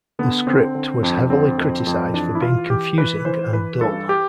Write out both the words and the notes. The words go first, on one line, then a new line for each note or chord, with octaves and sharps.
The script was heavily criticized for being confusing and dull.
D3 B3
D3 C4
D3
F2
D3 C4
F2
F2
E3 D4
E4
E3 F4
E3 G4
E3 B4
E3 C5
E3 B4
G2 A4
G4